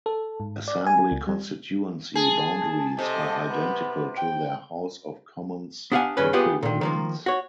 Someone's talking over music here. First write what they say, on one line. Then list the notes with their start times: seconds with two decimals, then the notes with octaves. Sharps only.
Assembly Constituency boundaries are identical to their House of Commons equivalents.
0.06 A4
0.40 G#2
0.68 D5
0.87 G#5
1.11 C#2
1.27 G3
2.15 G#4 A5
2.99 C3 A4 D#5
3.49 B3
4.16 G5
5.92 B3 D4 G4 F5 F#5 G#5
6.17 G2 C#3 C#4 B4
6.33 B3 F4 G4 G#4 B4
6.63 A#2 D#3
6.81 D#3 F3 A#3
7.26 F#4 C#5